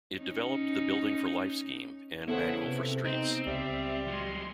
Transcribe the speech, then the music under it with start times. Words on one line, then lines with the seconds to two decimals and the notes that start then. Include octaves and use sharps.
It developed the Building for Life scheme and Manual for Streets.
0.20 C#4 D#4
2.28 C#3 B3 E4 G#4 A4 B4 C5 F#5
2.59 C3
3.04 C4 D#4
3.47 C#2 G3 E5
4.08 F#3 G#3 C6